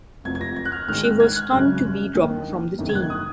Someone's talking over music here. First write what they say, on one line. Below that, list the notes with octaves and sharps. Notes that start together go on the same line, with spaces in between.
She was stunned to be dropped from the team.
F1 F2 C3 F3 G#6
G#6
A#6
G#6
F#6
F6
G#1 G#2 D#3 F6
F#6
G#6
F#6
G#1 F#2 C#3
D#2 D#3
F#1 F2 C3 D#3
G#6
F#6
D#6